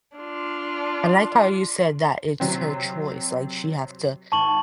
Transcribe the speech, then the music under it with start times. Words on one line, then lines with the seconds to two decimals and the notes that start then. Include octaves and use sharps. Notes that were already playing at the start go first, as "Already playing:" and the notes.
I like how you said that it's her choice, like she have to
0.17 D4 F4
2.40 C3 F#3 C4
4.32 G#1 A5 C#6 F#7